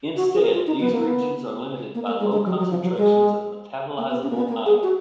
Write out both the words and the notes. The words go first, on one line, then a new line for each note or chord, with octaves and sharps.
Instead, these regions are limited by low concentrations of metabolizable iron.
F#4
G#4
A#4
F4
D#4
B3
A#3
B3
A#3
A#3
G#3
G#3
F#3
F#3
F3
F#3
G#3
A#3
B3
C#4
A#3
B3
A#3
G#4
F#4